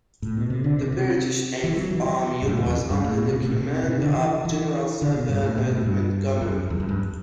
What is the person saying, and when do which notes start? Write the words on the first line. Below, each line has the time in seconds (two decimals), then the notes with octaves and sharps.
The British Eighth Army was under the command of General Sir Bernard Montgomery.
0.22 A2
0.37 B2
0.50 C3
0.64 D3
0.79 C3
0.92 C3
1.64 E3
1.77 F#3
1.91 E3
2.05 F#3
2.42 G2
2.48 A2
2.57 C3
2.66 E2
2.90 G2
3.04 A2
3.18 B2
3.33 C3
3.41 A2
3.51 B2
3.60 C3
3.83 B2
3.88 C3
4.02 D3
4.16 E3
4.45 E3
5.02 D3
5.15 B2
5.29 G2
5.43 A2
5.58 B2
5.72 A2
5.86 G2
6.42 F#2
6.70 E2
6.80 F#2
6.89 G2